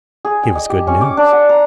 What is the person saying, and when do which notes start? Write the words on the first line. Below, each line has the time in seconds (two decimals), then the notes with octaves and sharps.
It was good news.
0.25 G#4
0.43 G5
0.55 D#5
0.70 G4
0.87 C#4
1.01 D6
1.17 D4
1.32 F#5
1.49 A#5